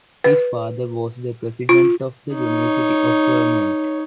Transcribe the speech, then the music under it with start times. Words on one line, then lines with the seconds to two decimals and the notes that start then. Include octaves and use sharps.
His father was the president of the University of Vermont.
0.24 B4
1.69 F4
2.34 D#4 C#5